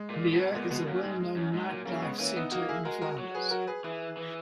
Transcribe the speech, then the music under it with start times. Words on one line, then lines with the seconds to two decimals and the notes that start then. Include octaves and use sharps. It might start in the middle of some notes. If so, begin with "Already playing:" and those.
Lier is a well-known nightlife center in Flanders.
Already playing: G#3
0.10 A#2
0.32 B2
0.54 A#2 G#3 B3
0.70 B2 G#3 B3
0.87 F#2 F#3 A#3
1.03 G#2 G#3
1.20 G#3
1.36 F#2 F#3
1.53 G#2 G#3
1.69 A#2 F#3
1.86 C#3 F#3 A#3
2.02 G#3 B3
2.19 E3 A#3 C#4
2.36 B3 D#4
2.52 A#3 D#4 F#4
2.69 E4 G#4
2.85 G#3 F#4 A#4
3.01 F#4 A#4
3.18 F#3
3.35 G#4 B4
3.51 F#4 A#4
3.67 G#4 B4
3.84 E3 G#4 B4
4.17 E3